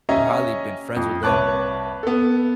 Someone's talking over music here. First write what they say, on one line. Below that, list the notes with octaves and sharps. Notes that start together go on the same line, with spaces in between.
probably been friends with them
C#4 G4 C#5 D#5 E5 A#5
F2
C2 B4 C#5 A5 D6 F#6
B3 A4